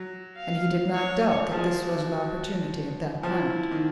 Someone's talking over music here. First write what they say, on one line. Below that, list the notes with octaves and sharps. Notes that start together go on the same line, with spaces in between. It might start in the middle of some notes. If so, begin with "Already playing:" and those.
And he did not doubt that this was an opportunity of that kind.
Already playing: F#3
F5
C#5
F3 G#4
F#4
F3 E4
D#3